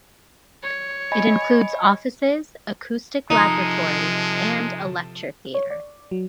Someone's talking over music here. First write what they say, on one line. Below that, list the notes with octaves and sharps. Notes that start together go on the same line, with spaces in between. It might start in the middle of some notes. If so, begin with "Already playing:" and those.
It includes offices, acoustic laboratories and a lecture theatre.
C#5
D#5 G#5 B5
C3 F3 G#3 D#4 A4
C#5
D5
F#3